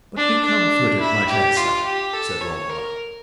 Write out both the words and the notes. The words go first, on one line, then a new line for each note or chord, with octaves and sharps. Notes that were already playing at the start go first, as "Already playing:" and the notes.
"But be comforted, my Tessa," said Romola.
D4
D4
E4
G4
F4
G4
A4
C#5
A#4